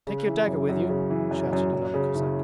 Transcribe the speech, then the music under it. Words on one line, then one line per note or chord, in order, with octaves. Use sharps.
Take your dagger with you!' shouted another Cossack.
C#3
E3
F#2
F#2
C#3
E3
F#2
F#2
F#2
C#3
F#1